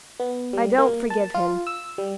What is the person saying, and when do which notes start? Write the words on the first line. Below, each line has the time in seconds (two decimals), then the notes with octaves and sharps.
I don't forgive him.
0.20 B3
0.53 G3
0.78 A#3
1.10 A5
1.34 F4
1.67 E6
1.98 G3